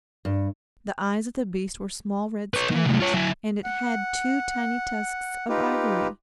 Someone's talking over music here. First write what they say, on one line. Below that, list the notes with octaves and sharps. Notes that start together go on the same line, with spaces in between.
The eyes of the beast were small red stones, and it had two tiny tusks of ivory.
G2
B4 C#5
D#3 E3
C2 A2
F4 C#5
F#3 E4
F#5
D#4 F4 G4 B4